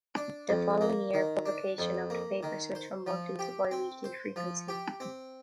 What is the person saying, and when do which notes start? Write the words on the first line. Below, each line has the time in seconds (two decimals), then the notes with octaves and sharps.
The following year, publication of the paper switched from monthly to bi-weekly frequency.
0.16 D4
0.49 F2
0.81 A#3
1.14 D#3
1.46 D4
1.78 F2
2.10 A#3
2.43 D#3
2.75 C5
3.07 F3
3.39 G4
3.71 C4
4.04 C5
4.36 F3
4.68 G4
5.00 C4